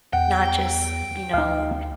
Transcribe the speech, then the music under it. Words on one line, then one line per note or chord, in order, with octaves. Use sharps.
not just, you know
E2 F#5 G5
D2 D#4 F5